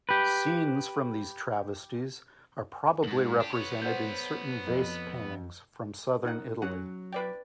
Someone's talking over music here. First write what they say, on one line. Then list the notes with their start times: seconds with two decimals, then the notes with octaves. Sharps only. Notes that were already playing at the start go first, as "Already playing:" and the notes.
Scenes from these travesties are probably represented in certain vase paintings from Southern Italy.
0.09 G4 B4
3.04 D#2 G#2 F#7
3.40 D4 G4
3.53 B3 C#5
3.82 C5 F#5 G6
4.67 F2
6.25 D#4 A#4 F#5
6.62 F#3 C#4 F#5
7.13 B4 D5 G5